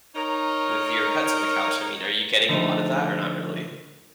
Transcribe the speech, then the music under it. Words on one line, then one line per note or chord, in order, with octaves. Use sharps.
with your pets on the couch. I mean, are you getting a lot of that or not really?
D#4 A#4 C#5
D3 F3 A3 D#4